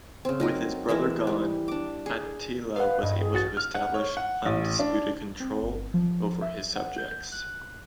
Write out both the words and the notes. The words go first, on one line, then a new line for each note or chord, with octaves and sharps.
With his brother gone, Attila was able to establish undisputed control over his subjects.
C#3 C4
F#3 D#4 A#4
E3 G#3 E4 A#4
G3
D4 D6
G#4
B4 F5 F#5
G2 D#5
G#4
A1 F#4 A6
F6
F#5
C#5
F#5
A1
D4
C4
G1
F3
E5
F#5
G6
F#6